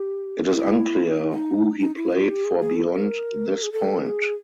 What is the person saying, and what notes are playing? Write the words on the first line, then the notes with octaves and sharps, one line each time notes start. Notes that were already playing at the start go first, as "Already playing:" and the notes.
It is unclear who he played for beyond this point.
Already playing: G4
E4
D#4
D#4
D#4
E4
F4
G4
G#4
G#4
A4
A#4
G#4
A4
G#4